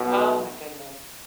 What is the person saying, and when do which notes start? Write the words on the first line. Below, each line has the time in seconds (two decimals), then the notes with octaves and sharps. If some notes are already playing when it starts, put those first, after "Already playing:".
Oh, my goodness.
Already playing: B1 B2